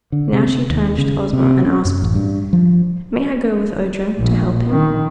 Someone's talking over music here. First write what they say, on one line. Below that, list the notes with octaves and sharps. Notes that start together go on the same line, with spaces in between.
Now she turned to Ozma and asked: "May I go with Ojo, to help him?"
D3
C3
C3
D#2
C#3
C3
C#4
F#2
A1
G2
F3
A#1
D#3